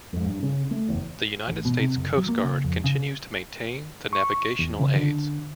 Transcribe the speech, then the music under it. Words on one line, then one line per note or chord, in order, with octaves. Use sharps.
The United States Coast Guard continues to maintain the navigational aids.
F2 G#2
G2
C#3
A3
F#1 E2
A1
B2
C3
F#1
F#3
A#3
C#3
F2
C#3
C#6
E2
C#3
D3